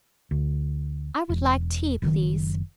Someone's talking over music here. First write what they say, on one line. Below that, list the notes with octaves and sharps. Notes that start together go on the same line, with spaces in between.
"I would like tea, please."
D2
E1
F#1 F#2 B2 D#3